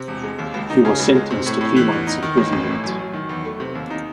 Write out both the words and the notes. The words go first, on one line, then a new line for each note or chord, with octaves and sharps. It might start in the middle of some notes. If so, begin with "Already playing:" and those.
He was sentenced to three months' imprisonment.
Already playing: C3
E1
G#3
D#2
C#2
D#4
C#3
C#2
G#3
C3
A2
A2
E3
E2
D#4
D#3
A1
A1
A2
F#2
F#2
D#3
E2
A3
C3
D#2
D#4